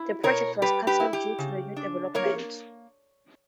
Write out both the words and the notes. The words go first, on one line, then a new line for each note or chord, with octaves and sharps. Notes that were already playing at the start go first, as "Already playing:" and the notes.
That project was cancelled due to the new developments.
Already playing: E4
B2 A#4 C#5
G3 G4 B4
G4 B4
E4
G4
C#3
D4
A#3 A#4 C#5